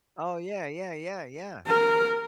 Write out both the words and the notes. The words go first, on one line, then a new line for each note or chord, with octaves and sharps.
Oh, yeah, yeah, yeah, yeah.
A#4